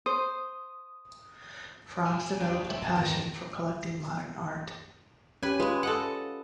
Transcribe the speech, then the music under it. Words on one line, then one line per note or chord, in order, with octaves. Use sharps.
Franz developed a passion for collecting modern art.
C5 D#6
B2 G#4
D#2 D4 G4
D2 C4 E5
E2 G#2 D#3 G4 A#4
C#4 G4 B4 G#5
G#3 F4 B4
A4 D#5 F#5